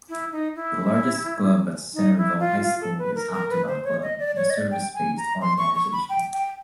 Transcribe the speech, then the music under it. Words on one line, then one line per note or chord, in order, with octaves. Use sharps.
The largest club at Centerville High School is Octagon Club, a service-based organization.
E4
D#4
E4
D#4
E4
F4
F4
A4
B4
A#4
A#4
B4
C5
C#5
D#5
D5
C#5
D#5
D5
G5
G#5
A#5
C6
C#6
C#6
B5
G5
G5